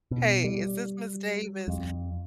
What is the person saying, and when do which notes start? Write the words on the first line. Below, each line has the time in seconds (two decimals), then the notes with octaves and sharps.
"Hey, is this Ms. Davis?"
0.11 B2
0.44 G3
1.68 F2